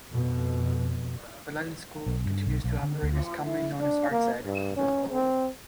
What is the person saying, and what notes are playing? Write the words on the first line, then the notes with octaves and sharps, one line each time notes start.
The London school continues to operate, and is commonly known as ArtsEd.
F2 B2
B1
G2
B1
B1
D3
D2
E4
D4
A#3
G2
C#4
C4